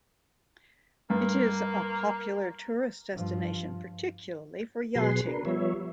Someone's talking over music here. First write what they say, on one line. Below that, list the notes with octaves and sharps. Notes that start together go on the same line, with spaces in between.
It is a popular tourist destination, particularly for yachting.
G2 A#3
G2 F3
B2 F#3 G#4 B4 C6
D4 A#4 B4
F3 G3 B3 C#5 E5